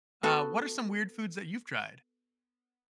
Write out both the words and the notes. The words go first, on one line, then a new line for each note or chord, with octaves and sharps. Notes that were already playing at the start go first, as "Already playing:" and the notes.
Uh, what are some weird foods that you've tried?
B3 F#4 A4